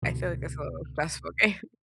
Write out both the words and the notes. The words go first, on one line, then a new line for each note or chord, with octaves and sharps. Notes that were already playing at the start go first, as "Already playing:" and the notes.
I feel like it's a little stressful game.
C#2 B2 D3